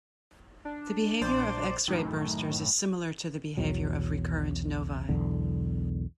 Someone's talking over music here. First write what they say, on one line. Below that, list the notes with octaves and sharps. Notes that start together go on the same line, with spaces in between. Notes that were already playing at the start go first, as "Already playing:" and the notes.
The behavior of X-ray bursters is similar to the behavior of recurrent novae.
D4
A#1 C5 D5
F#2 A2 D#3
B1 E2 F#3
B1 E2 D3